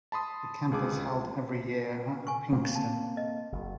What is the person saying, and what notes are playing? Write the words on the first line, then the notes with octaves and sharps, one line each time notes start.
The camp is held every year at Pinkster.
A5 B5 C6 D#6
C#2 G#4 D6
G#5 C#6
A#3 C4
A5
D#5
F#1